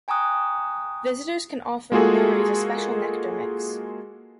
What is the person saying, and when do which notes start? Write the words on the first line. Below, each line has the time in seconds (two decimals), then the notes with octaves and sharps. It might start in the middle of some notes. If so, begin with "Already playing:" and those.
Visitors can offer the lories a special nectar mix.
0.08 G5 G#5 A#5 C#6 D#6 F#6
1.92 G#3 A#3 F4 F#4 G#4 A4